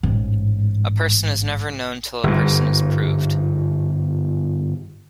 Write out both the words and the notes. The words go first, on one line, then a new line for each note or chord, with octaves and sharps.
A person is never known till a person is proved.
A1 G#2
G1 G#2